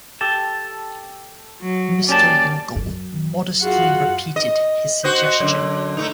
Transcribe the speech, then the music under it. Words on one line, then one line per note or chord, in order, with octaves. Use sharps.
Mr. Winkle modestly repeated his suggestion.
G4 A4 A5
F#3
A#3 C#4 G4 D5 A5
F#2
F4 F#4 G#4 F#5
D#5
F#4 C5 D#5
F#2 D3
A3 A#3 D#4